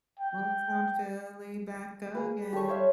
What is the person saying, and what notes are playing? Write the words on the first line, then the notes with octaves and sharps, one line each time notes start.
Motown Philly back again,
G5
G#4 B4
G4 A4 D5 C#6
C5 C#5 E5 F5